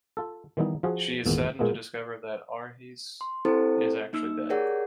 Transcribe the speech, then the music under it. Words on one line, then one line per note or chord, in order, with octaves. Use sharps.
She is saddened to discover that Arhys is actually dead.
F4 A4
D#3 E3 G3 B3 D#4
F3 F4 F#4 G#4
G#1 E2 A#2
A#2 G#3 A#3 B3
C6
C4 E4 G4 A4 C5
A#3 D#4 E6
G4 G#4 A#4 C#5 D5 F#5